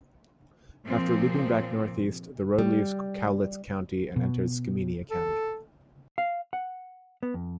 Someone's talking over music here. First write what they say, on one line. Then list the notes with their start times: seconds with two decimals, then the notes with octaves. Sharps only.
After looping back northeast, the road leaves Cowlitz County and enters Skamania County.
0.85 A#2 F3 C4
2.59 G3
4.16 B2
5.11 A4
6.18 F5
6.53 F#5
7.23 B3
7.34 F2